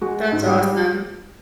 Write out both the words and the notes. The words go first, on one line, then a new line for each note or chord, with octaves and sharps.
That's awesome.
G#3 F#4
G#2
G3 G4